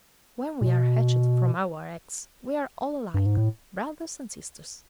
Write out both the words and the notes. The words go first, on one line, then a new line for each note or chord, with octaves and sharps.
When we are hatched from our eggs we are all alike, brothers and sisters.
A#2
B2
G2
G#2
A2